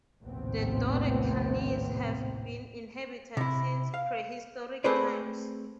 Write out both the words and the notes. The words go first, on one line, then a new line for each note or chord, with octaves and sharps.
The Dodecanese have been inhabited since prehistoric times.
A#1 D#2 A2 C3 B3 C4
C3 E4
F5
A3 C4 G#4 B4 C5 D5